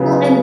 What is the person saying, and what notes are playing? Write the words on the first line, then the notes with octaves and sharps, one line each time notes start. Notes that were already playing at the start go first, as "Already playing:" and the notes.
Well, and
Already playing: C#3 F#3 B3